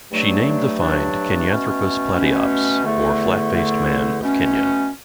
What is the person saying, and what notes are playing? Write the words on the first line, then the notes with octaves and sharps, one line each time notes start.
She named the find "Kenyanthropus platyops", or flat-faced man of Kenya.
G2 F#3 A3 D4
G2 F#3 A3 D4
B2 A3 C#4
B2 A3 C#4
E2 D3 A3
E2 D3 A3
B2 A3 C#4